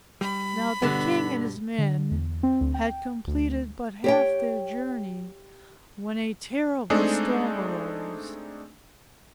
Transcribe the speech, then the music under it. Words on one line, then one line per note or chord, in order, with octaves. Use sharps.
Now the king and his men had completed but half their journey when a terrible storm arose.
G3 B5
G2 B2 D3 G3 B3
D3
E2
C4
D2
G5
D2
G4 C#5 G5
G#3 A3 C4 D4 D#4 G#4